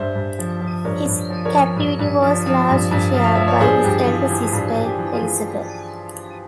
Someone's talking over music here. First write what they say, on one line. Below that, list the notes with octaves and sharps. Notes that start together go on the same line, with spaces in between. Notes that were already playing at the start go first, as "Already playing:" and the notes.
His captivity was largely shared by his elder sister Elizabeth.
Already playing: G2 C5 E5
G2
F3
F3
G2 A#4 C#5
G2
F3
A#4 C#5
F3
G2
G2
F3
F3
G2
G2
F3
F5
F3 E5
C#5
G2 G#4 C5
G2 G4
E3 F4
E3 G4
G2 F4
G2
G4
E3
F4 G#4
E3